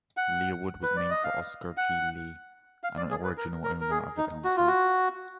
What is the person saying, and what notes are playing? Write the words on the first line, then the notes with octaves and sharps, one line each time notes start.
Leawood was named for Oscar G. Lee, an original owner of the town site.
F#5
B4
D5
D#5
F5
F#5
F5
D5
G#4
B4
A#4
A#4
A#4
G#4
D#4
F#4
F4
F#4